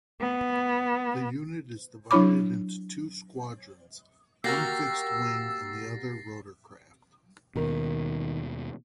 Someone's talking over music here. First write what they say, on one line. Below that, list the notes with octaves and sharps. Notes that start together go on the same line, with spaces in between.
The unit is divided into two squadrons, one fixed-wing and the other rotorcraft.
B3
F#3 D4 E4 C#5 B5 D6
A#3 F#4 G4 A#4 E6 A6 A#6 C7
D#2 B2 D#3 A#4